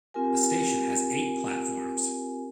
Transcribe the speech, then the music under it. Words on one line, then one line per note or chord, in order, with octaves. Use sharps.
The station has eight platforms.
C4 F4 G4 A#4 G#5